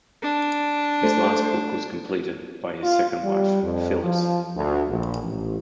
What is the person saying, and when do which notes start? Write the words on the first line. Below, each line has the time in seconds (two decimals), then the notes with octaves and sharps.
His last book was completed by his second wife Phyllis.
0.22 D4
1.03 A3 C5
2.83 F4
3.22 G3
3.62 F2
4.03 F3
4.56 D2
4.90 A#1
5.21 A1